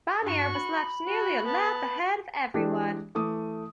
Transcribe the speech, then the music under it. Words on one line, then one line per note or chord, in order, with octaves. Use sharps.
Bonnier was left nearly a lap ahead of everyone.
G2 F#4 C#6
B5
F#4
B3 A5
E3 G#3 D4 G4
E3 A3 D6 D#6